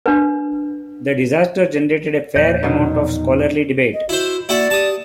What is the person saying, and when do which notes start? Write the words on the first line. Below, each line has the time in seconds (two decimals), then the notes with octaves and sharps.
The disaster generated a fair amount of scholarly debate.
0.06 D4 B4
2.36 E2 A#2 F3 A#3 C#5
2.63 B2 D#3 F#3 D#4
3.94 D#5
4.09 E4 F#4 C5
4.49 A#3 E4 F#4 D5 F#5
4.70 G4 A5 D#6